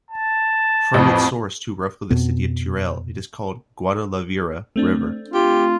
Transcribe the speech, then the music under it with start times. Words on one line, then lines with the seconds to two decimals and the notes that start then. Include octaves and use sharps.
From its source to roughly the city of Teruel, it is called "Guadalaviar" river.
0.10 A5
0.94 A1 F2
2.10 F2 B2 B3
4.76 A3 C4 D4
5.34 F4 G4